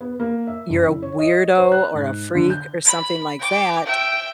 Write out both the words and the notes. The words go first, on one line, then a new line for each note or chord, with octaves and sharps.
you're a weirdo, or a freak, or something like that,
B3
A#3
E5
F#1
E4
C#5
D#5
C5
F#6
G#2
D3
G6
B5
G5 D6
E5 G5